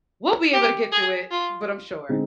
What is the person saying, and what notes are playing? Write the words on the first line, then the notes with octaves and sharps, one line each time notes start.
we'll be able to get through it, but I'm sure.
G4
G#4
F4
D3 G#3 C4 D#4 G#4